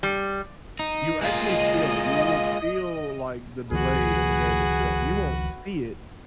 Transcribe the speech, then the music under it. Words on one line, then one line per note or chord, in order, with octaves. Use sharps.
you actually feel it, you will feel, like, the delay in the game itself you won't see it,
G3
D#4
G#3 A#3 F4 D#5
C#2 D#3 F3 F#4 G#4 B4